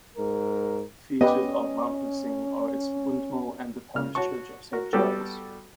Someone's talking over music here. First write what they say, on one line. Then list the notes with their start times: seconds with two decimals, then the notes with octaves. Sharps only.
Features of Mountnessing are its windmill and the parish church of Saint Giles.
0.17 G#2 A#4
1.21 B3 C#4 G4 B4 D#5
3.95 C#3 F6
4.15 F#4 C#5 A5 C#6
4.73 F#4 A#4
4.93 G3 B3 F#4 G4 A4